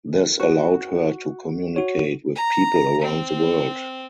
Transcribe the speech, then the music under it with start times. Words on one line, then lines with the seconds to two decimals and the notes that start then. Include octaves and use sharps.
This allowed her to communicate with people around the world.
0.40 F#4
1.76 F#4 C#5
2.36 A#5
3.01 C4